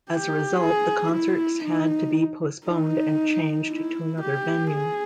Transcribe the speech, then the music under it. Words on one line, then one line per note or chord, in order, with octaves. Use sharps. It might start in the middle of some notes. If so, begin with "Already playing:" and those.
As a result, the concerts had to be postponed and changed to another venue.
G4
G#4
E4
D#4
D#4
E4
G4
G#4